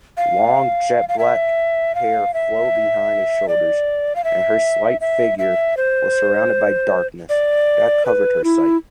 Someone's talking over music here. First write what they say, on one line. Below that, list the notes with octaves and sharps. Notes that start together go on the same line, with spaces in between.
Long jet-black hair flowed behind the shoulders, and her slight figure was surrounded by darkness, that covered her sight.
F5
F5
E5
F5
E5
D5
F5
E5
E5
E5
C5
D5
B4
E4